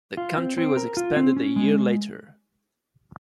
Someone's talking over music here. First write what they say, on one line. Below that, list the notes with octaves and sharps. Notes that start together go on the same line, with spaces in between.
The county was expanded a year later.
F4
C4
C4
A#4
F4
C4
C#4
G#3